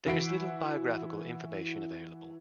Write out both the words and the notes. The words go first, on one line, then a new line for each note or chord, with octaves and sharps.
There is little biographical information available.
E3 E4 F#4 B6 C7 D7